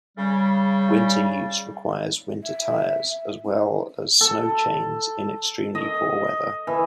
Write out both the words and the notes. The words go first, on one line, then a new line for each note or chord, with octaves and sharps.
Winter use requires winter tires, as well as snow chains in extremely poor weather.
C#3 G3
E5
A4
D#5
E3